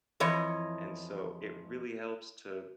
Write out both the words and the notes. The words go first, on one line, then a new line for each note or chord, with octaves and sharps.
and so it really helps to
F2 E3 C#5 D#5